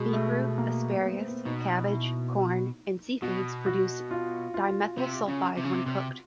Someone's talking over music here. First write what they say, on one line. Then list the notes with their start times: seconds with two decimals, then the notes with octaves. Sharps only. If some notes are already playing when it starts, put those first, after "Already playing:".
Beetroot, asparagus, cabbage, corn and seafoods produce dimethyl sulfide when cooked.
Already playing: B2 G#3
0.13 A3
0.58 A#3
1.02 B3
1.14 C4
1.28 B3
1.45 B2 D#4
1.90 E4
3.22 B2 F#4
3.66 F#4
4.11 F4
4.54 F4
4.98 C3
5.28 C#3
5.58 C3
5.65 C#3
5.73 C3
5.86 C3